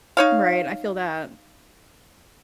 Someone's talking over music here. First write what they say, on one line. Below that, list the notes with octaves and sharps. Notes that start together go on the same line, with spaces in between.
Right, I feel that.
D#4 C#5 F5